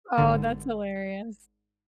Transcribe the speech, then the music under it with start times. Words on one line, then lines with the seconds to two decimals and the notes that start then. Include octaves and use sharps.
Oh, that's hilarious.
0.18 G#1 D3